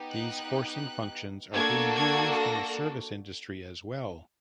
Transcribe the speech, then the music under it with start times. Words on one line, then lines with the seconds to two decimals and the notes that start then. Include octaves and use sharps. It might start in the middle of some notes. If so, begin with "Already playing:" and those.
These forcing functions are being used in the service industry as well.
Already playing: B3 D#4 G4
0.11 F#6
0.39 F#6
1.53 A#3 D4 F#4 A4 G#6
1.95 G#6
2.38 A#6